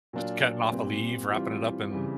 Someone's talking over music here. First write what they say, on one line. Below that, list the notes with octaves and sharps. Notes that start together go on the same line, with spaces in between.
Just cutting off a leaf, wrapping it up in
A#2 F#3 A#3 D4 F4
A#2 G3 C4
E3 G3 C4 F4
C#3 E3 G3 C4